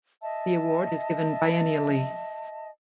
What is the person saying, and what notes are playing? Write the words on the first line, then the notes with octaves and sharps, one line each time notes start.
The award is given biennially.
D#5 E5 A5